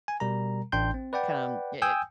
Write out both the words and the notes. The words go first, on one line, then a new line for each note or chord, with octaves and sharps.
come Yeah
G#5
B2 G3 A#4 A#5
A1 D4 G5 C6 G6
C4
B4 D5 F#5 G5
G5 G#5 D#6 E6 G6